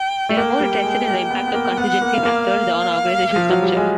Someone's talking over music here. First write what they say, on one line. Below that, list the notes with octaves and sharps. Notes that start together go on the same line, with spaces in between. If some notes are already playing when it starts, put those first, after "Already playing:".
They are more interested in the impact of contingency factors on organizational structure.
Already playing: G5
A3
A#3 G5
G3
G#3
A#3
B3
B3
A#3
B3 F#5
A#3
F5
A#3
F5
F3
F#3
G3
G#3